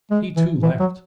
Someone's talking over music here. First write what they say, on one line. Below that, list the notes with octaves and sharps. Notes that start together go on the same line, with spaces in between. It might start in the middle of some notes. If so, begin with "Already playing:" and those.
He, too, laughed.
G#3
E3
E3
F#3